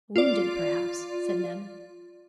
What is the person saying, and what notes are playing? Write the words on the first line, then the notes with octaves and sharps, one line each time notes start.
"Wounded, perhaps!" said Neb.
F4 D5